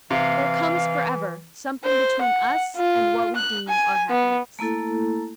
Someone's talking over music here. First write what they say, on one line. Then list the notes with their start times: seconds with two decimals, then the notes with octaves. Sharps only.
"There comes Forever something between us and what We deem our happiness."
0.11 C3 E3 F5
1.84 C5
2.22 F#5
2.77 F4
3.36 F#6
3.68 G#5
4.10 B3
4.59 A3 A#3 E4 A4